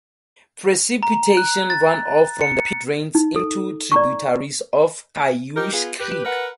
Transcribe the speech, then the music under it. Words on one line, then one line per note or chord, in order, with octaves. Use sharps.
Precipitation runoff from the peak drains into tributaries of Cayoosh Creek.
A#5
F#6
A6
C#7
D#4
A4
D5 A#5 C#6
D#4 G4 A#4
B3 F4 G#4
G4 B4
A#4 B4 F#5